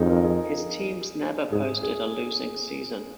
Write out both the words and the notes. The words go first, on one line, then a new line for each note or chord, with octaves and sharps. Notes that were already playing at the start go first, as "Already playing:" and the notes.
His teams never posted a losing season.
Already playing: F2 D#4 F4 G#4
A#4
G#4
G#2 G#4
G#4